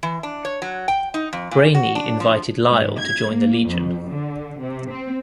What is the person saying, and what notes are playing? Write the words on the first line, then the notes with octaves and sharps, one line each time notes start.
Brainy invited Lyle to join the Legion.
E3
D4
C#5
F#3
G5
D#4
F2
A#2
F#4
D4
F3
G#2
G#6
A#3
F2
D3
C3
C4